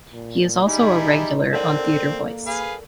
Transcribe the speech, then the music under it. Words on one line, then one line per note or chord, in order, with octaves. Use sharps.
He is also a regular on "TheatreVoice".
A#2
G3 D#4 E4 G#4
C4 A4 A#4 D5
A#3
G#4 B4 F5